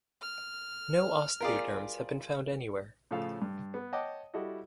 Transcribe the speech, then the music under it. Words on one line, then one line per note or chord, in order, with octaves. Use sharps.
No osteoderms have been found anywhere.
F6
G3 F4 G#4 A#4 D5
A2 C#3 F3 A4 F5
G2
B3
C#5 D#5 F#5 G5 A5 D6
G3 E4 F#4 G4 A4 D#5